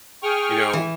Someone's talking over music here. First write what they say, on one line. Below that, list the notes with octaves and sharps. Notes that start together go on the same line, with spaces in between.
You know
G#4 G5 C#6 F6
E3